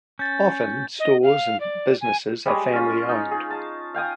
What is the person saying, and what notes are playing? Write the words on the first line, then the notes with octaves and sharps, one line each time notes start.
Often stores and businesses are family owned.
C#4 G6 A6
D#5
F5
D5
G#5
G3 G#3 C#5 D#5
C#4 F4
D#4
G#4
A5
F5 G5 G#5 D#6